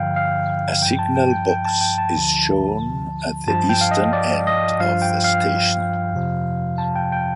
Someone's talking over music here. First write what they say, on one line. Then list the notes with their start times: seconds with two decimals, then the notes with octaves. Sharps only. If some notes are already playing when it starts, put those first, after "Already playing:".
A signal box is shown at the eastern end of the station.
Already playing: G2 D3 F3 F5 G5
0.16 F5
0.82 G2 F3 G5
0.99 A5
1.16 G5
1.31 G5
1.49 G5
1.65 A5
1.81 G5
1.98 A5
2.15 D2 D3 F3
3.47 G2 F3 A5
3.69 G5
3.81 F5
3.91 D#5
4.13 D5
4.47 D#5
4.80 G2 F3 F5
5.02 G5
5.24 F5
6.12 F2 C3 F3
6.78 A5
6.96 G5
7.12 G5